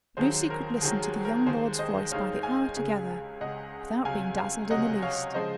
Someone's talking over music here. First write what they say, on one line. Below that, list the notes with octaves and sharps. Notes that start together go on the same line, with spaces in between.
Lucy could listen to the young lord's voice by the hour together--without being dazzled in the least.
D#2 D#3 F#3 G#4 C5
A#4
D#2 D#3 F#3 G#4
G#4
A#4
D#2 D#3 G#3 G#4 C5
C5 D#5
D#2 D#3 G#3 C#5 F5
F5 G#5
C#2 C#3 G#3
C#2 C#3 G#3 D#5 F#5
C#2 C3 F#3 F5 G#5
F5 G#5
C#2 C3 F#3 D#5 F#5
C#5 F5
C#3 F3 G#3 C5 D#5